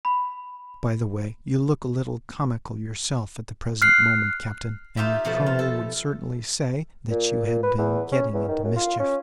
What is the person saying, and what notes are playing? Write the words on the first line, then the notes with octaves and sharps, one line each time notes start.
By the way, you look a little comical yourself at the present moment, captain, and your colonel would certainly say that you had been getting into mischief.
B5
F6 F#6 C7
D#4 F4 G4 E5
B2 F3 A3
F4
A4
A#2
A#2
B4
E2
C#4
E2
D#3
F#2
F4
C#4